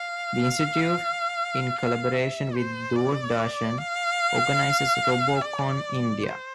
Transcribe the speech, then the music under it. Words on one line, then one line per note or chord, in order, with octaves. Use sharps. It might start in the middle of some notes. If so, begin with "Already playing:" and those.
The institute, in collaboration with Doordarshan, organizes Robocon India.
Already playing: F5
E5
C5
D5
F5
D5
C5